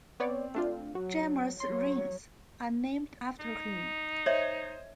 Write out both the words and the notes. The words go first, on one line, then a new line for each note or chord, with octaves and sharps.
Gemma's rings are named after him.
B3 C4 C#5 D5
A3 D4 F4
F#3 F#4
F#3 C#5 C6
D#4
C5 C#5 D#5 E5 G#6